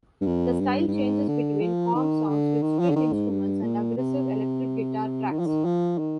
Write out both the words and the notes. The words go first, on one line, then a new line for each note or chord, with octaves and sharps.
The style changes between calm songs with string instruments and aggressive electric guitar tracks.
G2
F2
G2
G2
G#2
D3
F3
D#3
D3
D#3
F3
D3
D#3
G#2
G2
A#2
C3
D#3
F3
D#3
F3
D#3